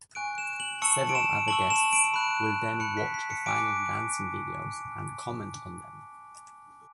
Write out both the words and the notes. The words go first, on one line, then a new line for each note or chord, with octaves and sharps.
Several other guests will then watch the final dancing videos and comment on them.
G#5 C#6 F#6 D7
E7
F#7
A5 C#6 E6 C#7
D7
E7
A5 C#6 E6 F#7
E7
D7
B5 F#6 D7
B5 F#6 C#7
B6
B6
C#7
G#5 D6 F#6 D7